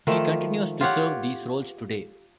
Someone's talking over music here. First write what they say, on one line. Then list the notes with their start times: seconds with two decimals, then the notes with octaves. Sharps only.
He continues to serve these roles today.
0.07 D#3 F3 A3
0.81 F4 G4 C#5 F#5